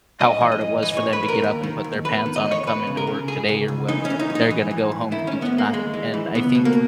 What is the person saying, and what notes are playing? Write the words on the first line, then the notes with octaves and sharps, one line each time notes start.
how hard it was for them to get up and put their pants on and come into work today or what they're gonna go home to tonight. And I think
G#2 D#5
E3
D#5
G#2
E3 D#5
C#5
G#2
B4
G#2
A#4
D#2
D#3
D#2
E2 B4
D#3
D#5
E2
C#5
E2 B4
C#3
A#4
C#3
C#2 G#4
C#2
C#2
E3 D#4
C#4
E3
D#4
F#2
D#4
E3
E3
G#2
D#3 E4
G#2 C#4
B3
G#2
A#3
D#2 G#3
E3
E3
C#2 B3
B2
A#3